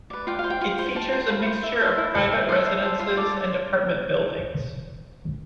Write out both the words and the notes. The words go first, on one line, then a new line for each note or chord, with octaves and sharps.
It features a mixture of private residences and apartment buildings.
B4 D5
F4 G5
F5
C5
G5
F4
C5
F4 A5
C5
F4 B5
C5
E4
A4 C5
E4
A4 C5
E4
A4 C5
E4
A4 C5
F4 C6
A4 D5